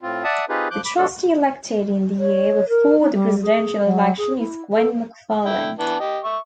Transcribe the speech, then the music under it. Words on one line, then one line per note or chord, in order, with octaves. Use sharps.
The trustee elected in the year before the Presidential election is Gwen McFarlin.
A2 C4 F4
D5 E5 F#5 A5 D#6
C4 D#4 F4 G4 G#4 B4
F3 D6 F#6 G6
B5 D6
B2 F3 F#3 G#3 D4 A4
C#5
A#4
D#4
G3
G#4
F#3
G#4
E4
A4
D3 E4 G5
E3 B3 D4
G4 D#5
E5 C#6